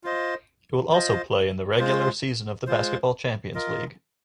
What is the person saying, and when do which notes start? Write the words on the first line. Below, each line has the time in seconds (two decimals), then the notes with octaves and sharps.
It will also play in the regular season of the Basketball Champions League.
0.04 F4 C5 D#5
0.91 F4 C5 D#5
1.79 G#3 F4 C5
2.67 G#3 F4 C5
3.54 F4 A#4 D#5